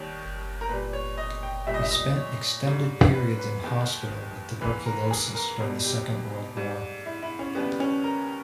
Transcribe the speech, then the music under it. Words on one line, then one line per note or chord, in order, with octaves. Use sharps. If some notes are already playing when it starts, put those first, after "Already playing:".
He spent extended periods in hospital with tuberculosis during the Second World War.
Already playing: D#2 D#3 G3 C#5
A#4
A#2 G3 B4
C#5
D#5
G5
A#2 G3 E5
D#5
E5
D#5
C#5
G#2 G3
B4
B4
D#2 D#3 G#3
G#2 E3 G#3 B4
A#4
G#4
A#4
E2 B2 G3
G4
G#2 G3
E4
E4
C#4
D#2 C#3 G3 B3
C#4
A#4